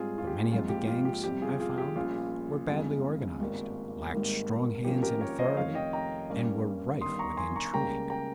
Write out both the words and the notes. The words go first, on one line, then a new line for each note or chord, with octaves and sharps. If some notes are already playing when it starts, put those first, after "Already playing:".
But many of the gangs, I found, were badly organized, lacked strong hands in authority, and were rife with intrigue.
Already playing: G#2 G3 C4 F4 G#4
F4
G4
A#1 G#2 F3 C4 F4
G4
F4
G4
G1 F2 C3 G3 C4 G4
F4 G#4
F4 G#4
G4
A#1 A#2 G3 C#4 F4
G1 F2 C#3 G#3
G#1 G2 G3 A#3
G#1 G#2 D#3 G3 A#3
G#1 G#2 F3 A#3 C#4 G4
G4 A#4
A#4 C#5
C5 D#5
F1 F2 D#3 C#5 F5
D#5 G5
G5 A#5
G2 G3 A#3 C#4
G1 G2 D#3 G3 C6 D#6
A#5 C#6
G#5 C6
A#5 C#6
C#2 C#3 G3 A#3 C#4 G5 A#5
G5 A#5